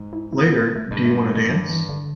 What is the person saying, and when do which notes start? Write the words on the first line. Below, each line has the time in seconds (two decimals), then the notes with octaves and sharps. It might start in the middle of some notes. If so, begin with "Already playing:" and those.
Later, Do You Wanna Dance?
Already playing: G#2
0.13 E4
0.32 E4
0.47 B3
0.61 A#3
0.76 A3
0.91 G2 G#3
1.05 A3
1.16 G3
1.20 G#3
1.35 G#3
1.49 F#3
1.70 E3
1.89 D3